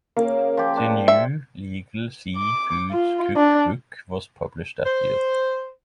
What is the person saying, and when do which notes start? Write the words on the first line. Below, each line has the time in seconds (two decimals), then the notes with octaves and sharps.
The New Legal Sea Foods Cookbook was published that year.
0.17 C#3 A#3
0.57 F3 G4
0.77 D4
1.08 E5
2.37 D6
2.91 F4
3.37 D4
4.86 C5